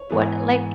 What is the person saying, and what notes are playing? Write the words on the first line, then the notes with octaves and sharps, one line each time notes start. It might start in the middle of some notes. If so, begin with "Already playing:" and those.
what like,
Already playing: C#5
G#2 E3 B3 E4